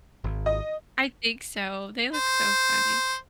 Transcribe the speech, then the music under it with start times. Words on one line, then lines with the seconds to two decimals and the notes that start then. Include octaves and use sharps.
I think so, they look so funny.
0.24 G#1
0.46 D#5
2.15 C5